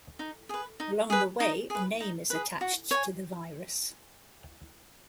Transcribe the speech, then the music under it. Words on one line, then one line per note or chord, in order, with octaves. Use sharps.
Along the way, a name is attached to the virus.
D#4
G#4 B4
D#4
G#4 B4
D#4
G#4 B4
D#4
G#4 B4
F#4
C#5 G#5